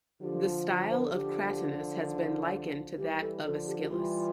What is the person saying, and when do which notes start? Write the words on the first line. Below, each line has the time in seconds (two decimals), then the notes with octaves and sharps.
The style of Cratinus has been likened to that of Aeschylus.
0.21 D3 F3 G4
0.90 C5
0.98 A#4
1.06 A4
1.13 D3 F3 G4
2.97 E3 G3 G4
3.21 A4
3.44 D3 F3 A4
3.67 G4
3.82 G4
3.90 E3 G3 F4